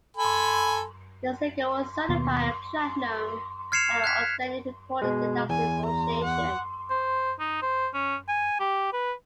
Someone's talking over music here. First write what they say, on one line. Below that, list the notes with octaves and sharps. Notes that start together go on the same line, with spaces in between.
The single was certified Platinum by the Australian Recording Industry Association.
A4 G#5 B5
D#2 B2
F6 G#6 C7 C#7 E7 F7
F#6 G#6 B6
B2 G#3
E2 G#5
A#5
F#5
C5
D#4
C5
C#4
G#5
G4
B4